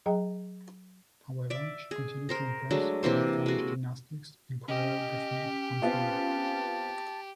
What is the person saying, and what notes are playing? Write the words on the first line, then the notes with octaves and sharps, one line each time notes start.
However, she continued to impress with her stylish gymnastics and choreography on floor.
F#3 G#4 D#5 G5 A#5
D5 E5
G#4
A#4 C5 A#5
F#3 G#3 A3 D4
C3 E3 A#3 C5
G#3 F#4
C#4 G4 D#5
B3 C4 F4 A5